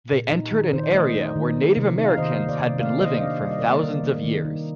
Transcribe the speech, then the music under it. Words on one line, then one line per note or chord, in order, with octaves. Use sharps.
They entered an area where Native Americans had been living for thousands of years.
A#2
D#4
D#3
D#3 C5
D5
A3 C5 D#5
D#4
D#3
A#3
C3
D#4
F5
D#3 C5 D#5
A#3
D5 F5
C3
A#3 D5 F5
D#3 C5 D#5
D#5
D4 D5 F5
G3 D5
D#5
A#3 A#4 D5
D#3
A#3
D#3
D#4